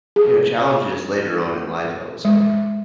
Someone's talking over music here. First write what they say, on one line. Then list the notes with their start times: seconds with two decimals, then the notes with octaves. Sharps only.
you know, challenges later on in life, I would say.
0.16 G#4
2.25 G#3